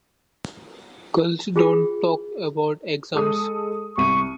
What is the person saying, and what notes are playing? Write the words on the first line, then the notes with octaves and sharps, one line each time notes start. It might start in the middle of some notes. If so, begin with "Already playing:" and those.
Girls, don’t talk about exams!
F4 G#4 G5
G#3 A4 D#6
C2 C#6 D#7